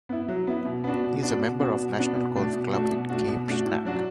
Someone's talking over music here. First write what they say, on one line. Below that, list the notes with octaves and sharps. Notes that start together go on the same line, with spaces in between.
He is a member of the National Golf Club in Cape Schanck.
B3 E4
F#3
B3 E4
B2
B3 D4 F#4
B2
B3 D4 F#4
B2
B3 D4 F#4
B2
B3 D4 F#4
B2
A3 D4 F#4
B2
A3 D4 F#4
B2
A3 D4 F#4
B2
A3 D4 F#4
A2
F#3 D4 F#4